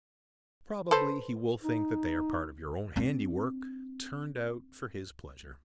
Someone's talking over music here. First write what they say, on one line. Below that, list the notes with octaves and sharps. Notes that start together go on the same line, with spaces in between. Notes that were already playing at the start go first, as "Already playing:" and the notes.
Probably he will think that they are part of your own handiwork turned out for his pleasure.
A4 B4 C5
D#4
C4 D4